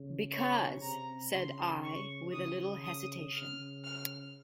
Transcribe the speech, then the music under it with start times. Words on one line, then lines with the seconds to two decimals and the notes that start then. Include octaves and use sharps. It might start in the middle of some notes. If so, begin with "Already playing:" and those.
"Because — " said I with a little hesitation.
Already playing: C#3
0.33 C#5
0.82 C3 A#5
1.33 C#3 C6
1.83 C#6
2.33 C#3 D#6
2.84 D#6
3.33 C#3 F6
3.84 F6